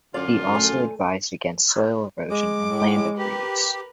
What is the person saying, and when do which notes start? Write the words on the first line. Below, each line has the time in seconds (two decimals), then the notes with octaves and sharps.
He also advised against soil erosion and land overuse.
0.14 F#2 D3 F4 D5
0.54 A3 G#5
2.31 G#3 D6
2.66 A2
3.18 G4 A#4 B4